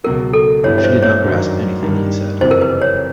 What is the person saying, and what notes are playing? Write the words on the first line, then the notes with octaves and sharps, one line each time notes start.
She did not grasp anything he said.
C#2 B2 F#3 A#4
A4
G2 E3 G3 B3 E4 C#5
C#5
C5
C#5
F#2 D#3 F#3 A#3 D4
G2 D#3 G3 A#3
F#1 F2 C3 E3 C5
A#4
B4
C#5